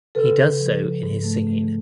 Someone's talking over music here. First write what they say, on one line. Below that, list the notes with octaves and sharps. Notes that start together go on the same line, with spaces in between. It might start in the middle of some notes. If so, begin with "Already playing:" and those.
He does so in his singing.
C#3 A4 B4
C#3
F3
C#3
G#2
A3
A3